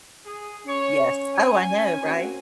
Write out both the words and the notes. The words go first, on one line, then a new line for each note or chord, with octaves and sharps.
Yes. Oh, I know. Right?
G#4
C#4 C#5
G#5
A#3 C4 F#4